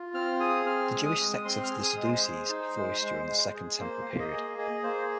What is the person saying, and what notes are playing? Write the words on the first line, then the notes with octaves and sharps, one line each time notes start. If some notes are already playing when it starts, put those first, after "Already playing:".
The Jewish sect of the Sadducees flourished during the Second Temple period.
Already playing: F4
C4 F6
G#4 D#6
C4 F6
G#3
D#6
G#3
C4 C6
F6
G#4
D#6
G#3
C5
G#4
D#4
G#3
G#3
G#3
G#4
A#3 C5
A#3
D#5
G#4
G#4 D#5
A#3 C5